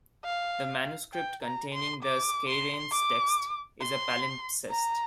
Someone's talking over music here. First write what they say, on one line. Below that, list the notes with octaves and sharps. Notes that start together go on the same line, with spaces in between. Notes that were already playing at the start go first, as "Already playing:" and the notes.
The manuscript containing the Skeireins text is a palimpsest.
F5
G5
A#5
C6
D6
C6
D6
C6
A#5